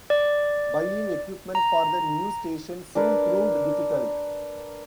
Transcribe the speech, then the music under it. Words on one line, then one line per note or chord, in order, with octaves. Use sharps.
Buying equipment for the new station soon proved difficult.
D5
A#5
D4 A#4 B4 D5